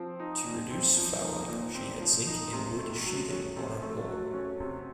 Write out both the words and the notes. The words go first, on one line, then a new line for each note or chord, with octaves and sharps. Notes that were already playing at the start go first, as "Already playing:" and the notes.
To reduce fouling, she had zinc and wood sheathing on her hull.
Already playing: F3 C4
D#4
A#2
C4
F3
D#4
A#2
C4
F3
D#4
C3
A3
F#3
C#4
C3
A3
F#3
C#4
C3